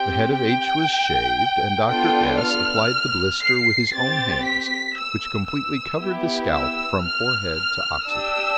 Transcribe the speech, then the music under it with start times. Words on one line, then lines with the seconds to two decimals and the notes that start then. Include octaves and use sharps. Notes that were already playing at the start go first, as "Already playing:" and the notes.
The head of H-- was shaved, and Dr. S-- applied the blister with his own hands, which completely covered the scalp from forehead to occiput.
Already playing: C4 G4 G5
0.36 G5
1.90 B3 D4 F4 A4 G5
2.41 F6
3.44 C7
3.95 C4 G4 A6
4.47 B6
4.99 E6
5.50 E6
6.01 B3 E4 G4
6.53 E6
7.05 F6
7.56 F6
8.07 D4 G4 E6